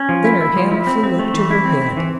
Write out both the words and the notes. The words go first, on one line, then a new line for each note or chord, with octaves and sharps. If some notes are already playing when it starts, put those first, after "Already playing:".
Then her hand flew up to her head.
Already playing: C#4
F3
E4
E4
F3
E4
C4
C4
A3
E3
E4
C4
C4
E3